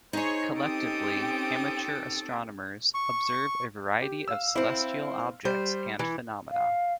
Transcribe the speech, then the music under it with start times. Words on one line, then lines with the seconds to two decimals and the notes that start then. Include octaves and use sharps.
Collectively, amateur astronomers observe a variety of celestial objects and phenomena.
0.13 D#4 G#4 C5 C#5 D#5 C#6
0.55 C4 C#4 G4 A4 D#6 D7
2.94 C#6
4.02 G4
4.28 F5 E6
4.56 C4 E4
5.45 G3 C5
5.99 E3
6.51 F5